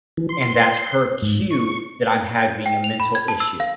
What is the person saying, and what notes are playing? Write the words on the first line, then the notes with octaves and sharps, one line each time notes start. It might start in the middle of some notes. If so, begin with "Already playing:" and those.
And that's her cue that I'm having a mental issue,
E3
C6
G#2
C#6
G5
F7
B5
G#6
A5
E6
F5